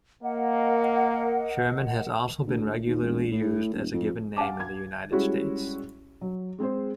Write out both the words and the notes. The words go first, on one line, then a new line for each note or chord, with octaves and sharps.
Sherman has also been regularly used as a given name in the United States.
A#3 A#4 D#5 F#5
D2
D#2
E1
A2
D#1
F2
F5 F#5 G#5 A5 D6
G#6
G3 G#3 C#4 E4 F#4
F#3
G#3 C4 G#4 C5